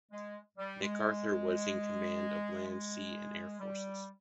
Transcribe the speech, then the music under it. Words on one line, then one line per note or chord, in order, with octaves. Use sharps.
MacArthur was in command of land, sea and air forces.
G#3
G3
G#3
G#3
G3